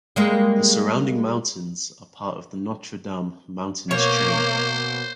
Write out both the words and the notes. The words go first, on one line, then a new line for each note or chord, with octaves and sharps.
The surrounding mountains are part of the Notre Dame Mountains chain.
G3 G#3 A#3
B2 A#3 C5 C#5